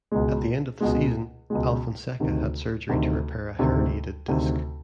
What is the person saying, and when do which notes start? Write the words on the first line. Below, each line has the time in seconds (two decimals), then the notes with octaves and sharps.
At the end of the season, Alfonseca had surgery to repair a herniated disc.
0.12 C#2 B2 G#3
0.80 C#2 B2 G#3
1.50 C#2 B2 G#3
2.20 D2 C3 D#3
2.89 D2 C3 D#3
3.59 D2 C3 D#3
4.28 D2 C3 D#3